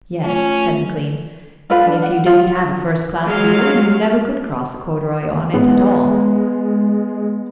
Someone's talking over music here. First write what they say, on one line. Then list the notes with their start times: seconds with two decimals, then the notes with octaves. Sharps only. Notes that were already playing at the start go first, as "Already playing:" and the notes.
"Yes," said McLean; "and if you didn't have a first-class wheel, you never could cross the corduroy on it at all."
0.24 F#3 A3 C#4 F4
1.70 F4 A4 B4 F5
1.86 D4
2.02 F#5
2.26 F4
3.26 F#3 G#3 F5
5.54 G#3 B3